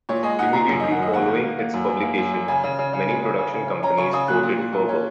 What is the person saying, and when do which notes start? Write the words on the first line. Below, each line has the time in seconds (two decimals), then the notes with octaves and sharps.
Immediately following its publication, many production companies courted Ferber.
0.09 A#2 C#5
0.23 G#3 D#5
0.39 D#4 F#5
0.53 A#2 A#5
0.69 F#2
0.80 D#5
0.83 D#3
0.91 F#5
0.98 F#2 D#5
1.13 A#3 F#5
1.28 D#3
1.44 A#3
1.59 A#3
1.73 F#2
1.89 F#2
2.03 A#3
2.18 F#2
2.33 F#2
2.48 C#3 G#5
2.64 C#3
2.79 C#3
2.93 C#3
3.08 G#3
3.23 C#3
3.38 C#3
3.53 C#3
3.68 C#4
3.83 C#4 A#5
3.98 C#3 C#6
4.13 C#3 D#6
4.28 A#2 F#6
4.43 A#2
4.58 A#2
4.73 A#2
4.88 C#4